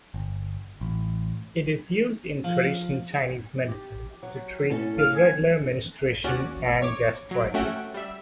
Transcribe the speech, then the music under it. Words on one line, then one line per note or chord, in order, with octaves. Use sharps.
It is used in traditional Chinese medicine to treat irregular menstruation and gastritis.
G1
A1
F3
G4
F#3
A2 C#4 A4 A5
F5
G#5
D#2 C#4 F#4 D5
C#5 D6
F#3 D7
A3 C#4 F#4 E5 F#5 G5
G3 E5